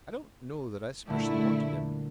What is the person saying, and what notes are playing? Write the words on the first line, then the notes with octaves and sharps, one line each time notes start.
I don't know that I specially wanted him.
A#2 D3 G3 A3 E4